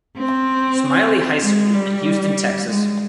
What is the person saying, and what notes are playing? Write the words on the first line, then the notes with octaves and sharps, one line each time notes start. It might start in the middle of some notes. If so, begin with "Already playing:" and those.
Smiley High School in Houston, Texas.
C4
G#3
G3
G#3